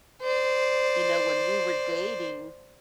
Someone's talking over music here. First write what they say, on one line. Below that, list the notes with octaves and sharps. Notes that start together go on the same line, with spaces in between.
you know, when we were dating
C5 D5